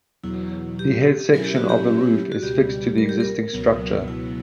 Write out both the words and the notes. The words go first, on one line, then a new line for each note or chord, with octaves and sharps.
The head section of the roof is fixed to the existing structure.
E2 B2 F#3 E4
G4
B2 F#3 C#4 E4 A#4
G4
F#4
G4
F#4
C#2 B2 G3 G4
A#4
G4
A#4
C#2 B2 F#3 B3
E4